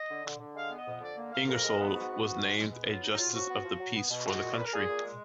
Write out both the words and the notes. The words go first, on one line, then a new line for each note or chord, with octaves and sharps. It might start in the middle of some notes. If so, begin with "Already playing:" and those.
Ingersoll was named a justice of the peace for the county.
Already playing: D#5
D3
D3
D3
G#3 F5
B3
D#5
F2
D3 D5
A#3
A#3 F5
F2 A#4
G#3
B3
G#2 F#4
B3
G#2
G#3
G#3
B3
F#3 F4
G#2 D#4
D#4
F#3 F4
F3 F#4
B3
F3
F#3
B3
B2
G#3 F#4
A#2
D5
A#2 B4
A#4
A#2 G#4
A#2
G#3